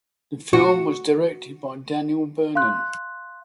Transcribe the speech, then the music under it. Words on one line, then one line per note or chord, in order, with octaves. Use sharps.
The film was directed by Daniel Vernon.
F#4
F5 C6 F#6